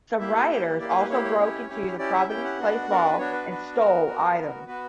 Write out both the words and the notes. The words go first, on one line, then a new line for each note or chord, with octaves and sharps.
Some rioters also broke into the Providence Place Mall and stole items.
A#3 E4 G4 E5
E5
A#3 E4 G4 G5
A#3 E4 G4 D5
C#5
B4
A#3 E4 G4 C#5
C#5
C#4 E4 G4
C#4 E4 G4
C#4 E4 G4 D5
E5
C#4 E4 G4 G5
F#5
B3 D4 F#4
B3 D4 F#4 A#4
B4
B3 D4 F#4 C#5
B4
B3 D4 F#4
B3 F#4 A#4
B3 F#4
B3 F#4
B3 F#4 B4